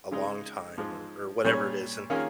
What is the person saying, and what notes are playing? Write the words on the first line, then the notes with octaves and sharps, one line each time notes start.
a long time or or whatever it is, and,
C#3 G#3 D#4 G#4
G#2 F3 G#3
A#2 G3 C#4 G#4 C#5
D#3 A#3 C#4 F4 G#4